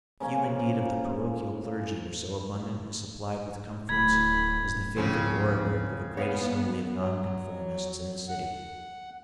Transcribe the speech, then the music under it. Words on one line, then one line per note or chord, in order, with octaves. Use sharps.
Few indeed of the parochial clergy were so abundantly supplied with comforts as the favourite orator of a great assembly of nonconformists in the City.
C#3 F3 A#3 C#4
D1 A2 B5 G#6
C#2 G#2 C#3 F3 C4
B3 C#5 F5 G#5
F#3
F#5